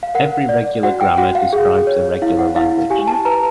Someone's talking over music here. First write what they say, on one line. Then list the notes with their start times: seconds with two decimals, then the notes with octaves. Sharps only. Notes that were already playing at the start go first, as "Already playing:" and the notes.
Every regular grammar describes a regular language.
0.03 F5
0.15 A#4 F#5
0.49 D5
0.83 F#4 F#5
1.01 G5
1.18 F#4 F#5
1.35 F5
1.53 G#4
1.87 C#5
2.22 E4 F5
2.39 F#5
2.56 E4 F5
2.90 G4 G#5
3.08 A5
3.25 B4 A#5